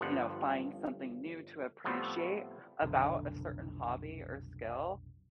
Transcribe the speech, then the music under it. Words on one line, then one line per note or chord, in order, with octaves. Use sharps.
you know, find something new to appreciate about a certain hobby or skill.
G1 G2 F3 F#5
A2 F3 G3 A3 B3 C4
F1 B1 D3